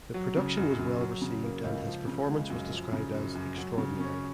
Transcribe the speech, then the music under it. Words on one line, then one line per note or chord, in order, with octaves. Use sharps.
The production was well received and his performance was described as "extraordinary".
F#3
C#3
F#2
F#2
F#3
C#3
A#3
C#2
F3
C#3
G#3
F#2
F3
C#3
F#2
F#2
F#3
C#3
C#4